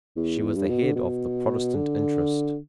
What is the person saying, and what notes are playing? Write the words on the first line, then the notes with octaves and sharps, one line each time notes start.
She was the head of the Protestant interest.
E2
G2
B2
D3
B2
D3